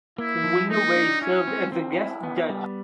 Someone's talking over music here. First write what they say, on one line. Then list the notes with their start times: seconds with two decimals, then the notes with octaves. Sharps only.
William Wei served as the guest judge.
0.18 A#3 E4
0.44 F3
0.70 A#3 D#4
0.96 D4
1.21 C#4 E4
1.47 C4
1.72 C4
1.98 E4
2.23 B3
2.49 G3